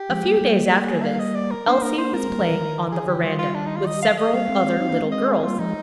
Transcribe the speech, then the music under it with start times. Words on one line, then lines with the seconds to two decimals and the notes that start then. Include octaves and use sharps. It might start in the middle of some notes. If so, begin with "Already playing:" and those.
A few days after this, Elsie was playing on the veranda, with several other little girls.
Already playing: G4
0.09 F3 G#3
0.25 G3 A#3
0.41 G3 A#3
0.72 G4
0.88 G#4
1.03 F5
1.19 D#5
1.35 D5
1.51 A#4
1.67 A#3 D4 C5
1.82 A#3 D4 A#4
1.98 A#3 D4 C5
2.14 G#3 C4 A#4
2.30 G3 A#3
2.40 F3 G#3
2.50 D#3 G3
2.61 D#3
2.92 D#3 G#4
3.08 D3 F3 G4
3.20 F3
3.24 D#3 G3 F4
3.39 F4
3.55 D4
3.66 D#4
3.76 F4
3.86 D#5
4.03 F5
4.18 D#5
4.33 G3 A#3 F5
4.49 G#3 C4
4.80 C4 D#4
4.91 A#3 D4
5.02 G#3 C4
5.12 D#5
5.29 G#4
5.43 G3 A#3 F4
5.59 F3 G#3 D#4